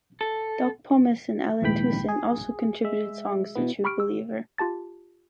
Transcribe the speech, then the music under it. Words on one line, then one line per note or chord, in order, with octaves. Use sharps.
Doc Pomus and Allen Toussaint also contributed songs to "True Believer".
A4
A#1 D#2 G#2 E3 G5 B5
G#4
G#3 E5
B2 E3 B3
G4 B5 C#6 F6 D7
E6
F4 G4 A5 A6